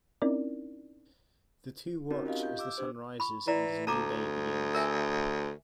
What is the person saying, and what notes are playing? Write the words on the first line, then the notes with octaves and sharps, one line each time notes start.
The two watch as the sun rises and as a new day begins.
C4 C#4 D#4 E4 A#4 D5
C4 C#4 D#4 F#4 A#4
F4 G4 D#5 F5
G6
D6 E6
D4 G4 C5
B5 C#6
E3 E4 D5 A#5
D2 A5 A#5 D6
A#4 E5 G#5